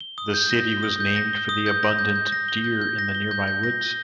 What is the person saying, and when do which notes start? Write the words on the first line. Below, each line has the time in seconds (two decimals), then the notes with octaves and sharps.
The city was named for the abundant deer in the nearby woods.
0.01 G7
0.18 D#6
0.34 G6
0.51 A#6
0.66 G7
0.83 D#6
1.00 G6
1.16 A#6
1.33 G7
1.49 D#6
1.66 G6
1.83 A#6
1.99 G6
2.16 G6
2.32 A#6
2.48 G7
2.64 G6
2.81 G6
2.99 A#6
3.15 G7
3.31 G6
3.48 G6
3.63 A#6
3.81 G7